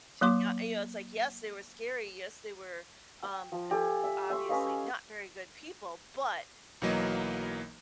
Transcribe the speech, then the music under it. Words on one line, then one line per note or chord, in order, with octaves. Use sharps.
to be not you know, it's like, yes, they were scary. Yes, they were, um, d obviously not very good people, but
F#3 A#3 C6 D6
G5
F3
G4 A4 G#5
E5
E5 C6 C#6
C#4 B4 D#5 F5
B1 E3 F#3 A#3 D#5